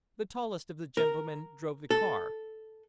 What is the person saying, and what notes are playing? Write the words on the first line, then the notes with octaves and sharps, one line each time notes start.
The tallest of the gentlemen drove the car.
A#4
A4